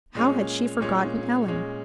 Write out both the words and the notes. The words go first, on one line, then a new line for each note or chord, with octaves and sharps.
How had she forgotten Ellen?
A#2 G#3 C#4
A#2 G#3 C#4
A#2 G#3 C#4